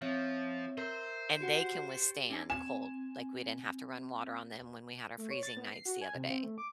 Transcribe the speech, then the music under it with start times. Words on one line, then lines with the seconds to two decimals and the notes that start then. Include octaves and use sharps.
And they can withstand cold, like, we didn't have to run water on them when we had our freezing nights the other day.
0.02 F3 C4 C#5 E5
0.78 A#4 C5 E5
1.41 F#4 G4 F#5
1.89 G4
2.30 C#4 D#4 G#5
2.50 C4 G#5 E7
5.18 A3
5.31 C#5
5.43 A6
5.57 B3
5.73 C7
5.86 F#4
6.01 G#5
6.15 C3
6.30 C4
6.43 A3
6.58 D6